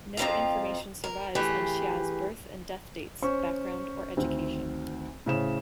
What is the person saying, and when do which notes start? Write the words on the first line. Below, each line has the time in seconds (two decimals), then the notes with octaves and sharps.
No information survives on Xia's birth and death dates, background, or education.
0.17 F2 F3 C4 E4 F5 A#5
1.04 A#4
1.35 E3 A3 G4 G#4
3.22 C#4 C5 C#6
4.17 D2 D#3 C4
5.26 A2 C#3 C5 E7